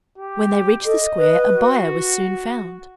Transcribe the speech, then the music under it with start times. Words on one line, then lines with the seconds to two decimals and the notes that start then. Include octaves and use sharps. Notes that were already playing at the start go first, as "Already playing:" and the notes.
When they reached the square, a buyer was soon found.
0.18 G4
0.84 A4 D#5
1.18 B4
1.53 F#4